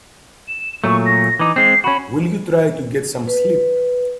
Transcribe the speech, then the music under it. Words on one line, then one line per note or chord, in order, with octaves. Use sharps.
Will you try to get some sleep?
E7
A#2 F#3 A3 C#6
A#6
E3 D#4 D6
G#3 C4 C7
C#4 F#4 B5
B4